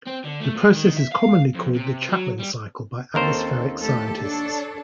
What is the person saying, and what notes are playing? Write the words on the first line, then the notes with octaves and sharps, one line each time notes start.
The process is commonly called the Chapman cycle by atmospheric scientists.
C4
D3
A3
A#2
D#3
E5
F5
F2
C3
F#3
G3
D#2 C4 C#4 A4 A#4 C5
A3 G4 A4
D4 A4 C#5